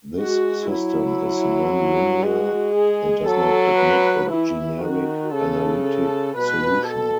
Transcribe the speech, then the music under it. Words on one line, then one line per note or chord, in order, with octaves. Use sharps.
This system is non-linear, and does not admit a generic analytic solution.
G#3 F#4
F#3 E4
G#3 F#4
G#4
F#3 A4
B4
E3 E4
D#3 F#4
C#3 A4
A4
B2 B4
A4